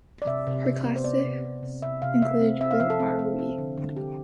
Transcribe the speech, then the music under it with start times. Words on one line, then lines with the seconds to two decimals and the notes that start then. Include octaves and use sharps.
Her classics include Who Are We?
0.22 D5
0.27 C3 E5
0.47 C3
0.66 C3
0.86 B3
0.96 C5
1.04 B3 D5
1.25 C3
1.44 C3
1.63 C3
1.82 C3 E5
2.02 C3 F5
2.22 C3 E5
2.41 C4
2.61 C4 E5
2.71 F5
2.80 F3 E5
2.90 A4
3.00 C4
3.19 C4
3.39 C4
3.58 D3
3.77 D3
3.96 D3 G4